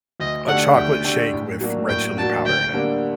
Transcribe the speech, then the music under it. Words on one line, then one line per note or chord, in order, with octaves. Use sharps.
a chocolate shake with red chili powder in it,
D2 D#5
D3 A3 D4 G4 F#5
D2 G5
D3 A3 D4 G4
A2
F#3 A#3 D4 F#4
A2 G5
F#3 A#3 D4 F#4 A5
D2 G5
D3 G3 A#3 D4